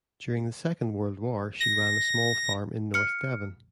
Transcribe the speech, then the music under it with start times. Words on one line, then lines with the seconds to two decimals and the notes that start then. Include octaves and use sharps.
During the second world war, she ran a small farm in North Devon.
1.60 A#6
2.94 F6 C#7